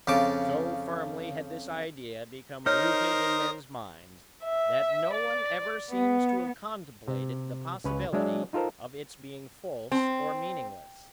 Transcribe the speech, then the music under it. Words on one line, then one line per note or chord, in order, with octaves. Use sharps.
So firmly had this idea become rooted in men's minds, that no one ever seems to have contemplated the possibility of its being false or meaningless.
F2 C#3 A5 D6
D#4 A#4 C5 C#5 D#6 F6
E5
D5
B3
C3
C#2 C#4 B4 C#5
F#3 G#3 D4 D5 E5
D#4 F4 A4 A#4 C5
C4